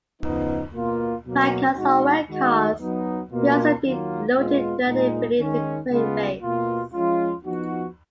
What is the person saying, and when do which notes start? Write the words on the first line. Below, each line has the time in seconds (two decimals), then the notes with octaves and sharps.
Flatcars or well cars may also be loaded directly beneath the crane base.
0.21 C#3 F3 B3 D#4
0.73 B2 A#3 F4
1.25 B2 F#3 A#3
1.76 B2 G#3 D#4 F#4
2.28 D#3 G#3 D#4 F#4
2.80 F#3 B3 D#4
3.31 B2 A#3 F4
3.83 D#3 F#3 A#3 F4
4.35 A#2 G#3 B3 F4
4.86 A#2 G#3 D#4
5.38 D#3 G#3 C#4
5.89 C#3 G#3 B3 F4
6.41 B2 A#3 F4
6.93 F3 G#3 C#4 F4
7.44 F3 B3 D#4 F#4